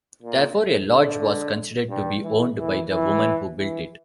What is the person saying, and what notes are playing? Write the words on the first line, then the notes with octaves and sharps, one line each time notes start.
Therefore, a lodge was considered to be owned by the woman who built it.
A#2
D3
G2
E3
E3
E3
E3